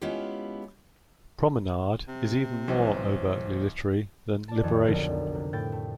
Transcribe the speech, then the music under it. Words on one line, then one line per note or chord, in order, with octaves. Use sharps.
"Promenade" is even more overtly literary than "Liberation".
G#3 B3 C#4 E4 F4 G4
C3
B1 E3 G3 C5
D5 A5
F2 D#3 G#5
B1 F2 D3 A#4
C3
A2 G5 A6
A3